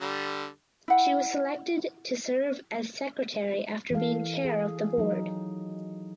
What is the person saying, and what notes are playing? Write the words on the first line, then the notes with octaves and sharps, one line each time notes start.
She was selected to serve as secretary after being chair of the board.
D3 G3
E4 F#5 G5
E3 A4 F5
G#4
F#3 D#4